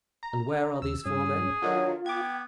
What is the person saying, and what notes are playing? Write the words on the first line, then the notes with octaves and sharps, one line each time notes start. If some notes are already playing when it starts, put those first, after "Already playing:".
"And where are these four men?"
A#5
D#2 E6
G2 C#4 G#4
D3 D#3 F#3 F4 C#5
B3 G5 D6 G#6